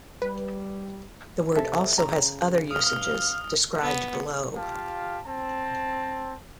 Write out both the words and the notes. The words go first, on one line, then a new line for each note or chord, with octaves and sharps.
The word also has other usages, described below.
G3 B4
C3 A4 E5
C#3 A#5
G2 F5 D#6 F6
B3
F4 G4 F5 A5
C4 A5